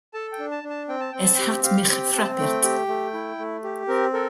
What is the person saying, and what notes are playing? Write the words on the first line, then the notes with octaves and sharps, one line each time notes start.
Es hat mich frappirt.
A4 A5
G5
D4
A5
D4
A5
C4 G5
A5
C4 G5
A5
G4 G5
G4 F5
C4 G5
C4 A5
A3 G5
G4
A3
E4
A3
G4
C4 A#4
A4 A#4